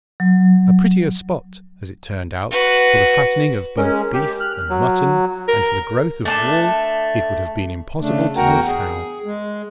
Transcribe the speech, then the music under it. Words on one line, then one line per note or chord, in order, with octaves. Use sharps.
A prettier spot, as it turned out, for the fattening of both beef and mutton and for the growth of wool, it would have been impossible to have found.
F#3
F#4 B4
G#3 C#4 A#4
G4
F6 F#6
F#3
A#4
A3 D4 A5
C#3 A3 D4
E2 F#4 A#4 F#5 G5 A#5
G#4
G#3